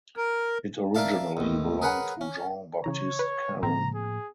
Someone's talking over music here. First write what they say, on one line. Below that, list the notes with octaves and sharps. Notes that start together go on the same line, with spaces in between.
It originally belonged to Jean Baptiste Caron.
A#4
A#4 D5 E5 F5 A5
A1 D#2
G#4 A#4 B4 C#5 F#5
C#4
C#3 E3 C#5 A#5
B4
A2 F3 A#3 C4 A#5
G#4